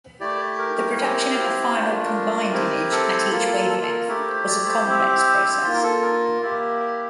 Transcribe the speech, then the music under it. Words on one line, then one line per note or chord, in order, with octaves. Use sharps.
The production of a final combined image at each wavelength was a complex process.
A3 E4 G4 D5
A#4
A#4
C4 E4 G4 A#4
A3 D4 F4 C5
A#4
A#4
C4 E4 G4
A4
A#3 F4
A4
A4
A#4
A3 E4 G4 A#4
C5
D5
C5
C4 E4 G4
A#3 F4
A#4
A4
A#4
A#3 E4 G4
A#4